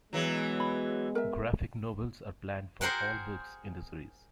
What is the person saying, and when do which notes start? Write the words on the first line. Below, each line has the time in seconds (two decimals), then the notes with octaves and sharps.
Graphic novels are planned for all books in the series.
0.13 E3 F#3 G#3 B3
0.60 B5
1.15 A#4 E5
2.81 G#4 A#4 C5 F#5 G5